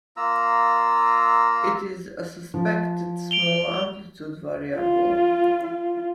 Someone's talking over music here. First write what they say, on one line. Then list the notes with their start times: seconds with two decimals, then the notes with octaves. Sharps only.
It is a suspected small amplitude variable.
0.17 A#3 F4 A#5 E6
2.54 F3
3.31 D7 F7 G7
4.75 F4
5.63 F4